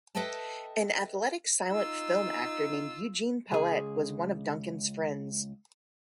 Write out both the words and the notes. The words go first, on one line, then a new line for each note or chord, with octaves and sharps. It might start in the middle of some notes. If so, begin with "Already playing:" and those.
An athletic silent film actor named Eugene Pallette was one of Duncan's friends.
A4 B4 D#5 E5 G5 A5
D#4 F4 E6
C#2 G#4